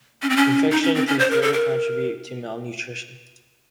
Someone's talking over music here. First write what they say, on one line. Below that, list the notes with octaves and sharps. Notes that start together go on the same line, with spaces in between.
Infection can further contribute to malnutrition.
C#4
C4
C#4
D#4
C#4
C4
C#4
C5
A#4
A4
A#4